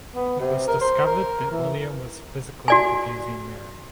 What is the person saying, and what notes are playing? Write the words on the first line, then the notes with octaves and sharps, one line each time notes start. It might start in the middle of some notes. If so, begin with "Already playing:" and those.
It was discovered that William was physically abusing Mary.
B3
C3
A#4
C5
A#4
E3
F#4 D5 G#5